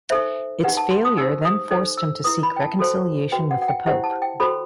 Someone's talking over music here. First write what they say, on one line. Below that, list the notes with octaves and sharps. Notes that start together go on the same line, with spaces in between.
Its failure then forced him to seek reconciliation with the Pope.
D#4 A4 C5 E5
D#4 G4 B4 F#5
A5
C6
D#6
D#4 G4 C5 E6
D#6
D#4 A4 C5
E6
E4 B4 D#6
B5
G5
A5
F#4 A4 C5
F#4 B4 G5
F#5
F#5
G5
E4 G4 C5 F#5
A5
G5
F#4 A4 C5 B5